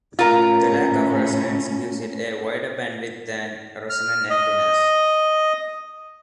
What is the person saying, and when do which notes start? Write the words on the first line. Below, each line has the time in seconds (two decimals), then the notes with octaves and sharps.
The lack of resonance gives it a wider bandwidth than resonant antennas.
0.19 A2 C#4 F4 A#4
3.90 F6
4.30 D#5